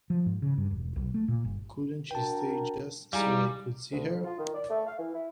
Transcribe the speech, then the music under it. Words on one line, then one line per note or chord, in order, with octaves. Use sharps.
Couldn't she stay, just so I could see her?
F3
G#2
C#3
G2
E1
B1
A3
A#2
G1
D4 F#4 A#4 G5 A5
D#3 G3 G#3 E4 F5 G#5 A#5
D2
F2
F4
D#3
D5
A3
F5
E3
E4